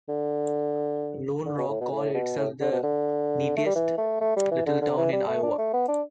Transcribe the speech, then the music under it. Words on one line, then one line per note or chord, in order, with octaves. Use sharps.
Lone Rock calls itself The Neatest Little Town in Iowa.
D3
D3
B2
A2
B2
A2
B2
A2
D3
B2
D3
A3
G3
E3
A3
A3
G3
E3
D3
D3
E3
G3
A3
D4
A3
B3
D4